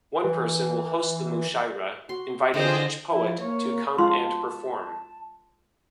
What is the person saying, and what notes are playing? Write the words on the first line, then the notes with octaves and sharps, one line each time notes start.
One person will host the mushaira, inviting each poet to come and perform.
E3
F#4 C6
D3 E3 F4 G#4 C5 D#5 G5
F3 E4
A#3 C#5
G#3 F4 A5 C6